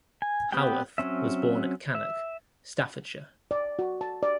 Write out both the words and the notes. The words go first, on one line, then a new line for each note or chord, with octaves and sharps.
Howarth was born at Cannock, Staffordshire.
G#5
B3 C4 G4 F#5 G5
F#3 C4 C#4 E5
E5
D5
F#4
A5
D5